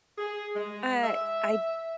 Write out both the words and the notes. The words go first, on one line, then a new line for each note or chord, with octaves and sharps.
uh, I
G#4
G#3
E5